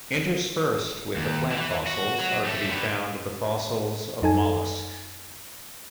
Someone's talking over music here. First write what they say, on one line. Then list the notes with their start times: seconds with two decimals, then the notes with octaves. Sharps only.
Interspersed with the plant fossils are to be found the fossils of molluscs.
1.16 D#2
1.52 E3
1.87 F#4
2.21 F#3
2.45 A3 G4
2.69 D3 B3
4.22 F#2 D#4 A4 G#5